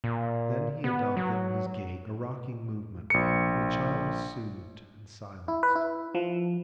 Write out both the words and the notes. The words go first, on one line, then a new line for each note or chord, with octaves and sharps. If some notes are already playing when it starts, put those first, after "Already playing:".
Then he adopted in his gait a rocking movement, and the child was soothed and silenced.
A#2
B3
F#3
A#1 C#7
E4
B4
E4
F3